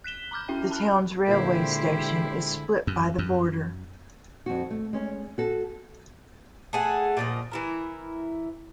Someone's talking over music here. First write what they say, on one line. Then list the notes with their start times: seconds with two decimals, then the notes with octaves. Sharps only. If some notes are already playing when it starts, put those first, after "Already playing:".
The town's railway station is split by the border.
0.04 F#6 B6 E7 G7
0.31 A#5 B5 D6 F6 G6
0.48 C#4 E4 F#4 E5 G5
0.71 A5 B5 F6 F#6
1.28 A#2 D3 G#3 E4 G4 C5
2.87 F#2
3.19 F#2
4.46 F2 F#4
4.71 A3
4.93 G#3 C#4
5.38 F#4 A4
6.73 A3 G#4 F#5
7.17 A#2 F3 D#5
7.51 E3 E4 A#4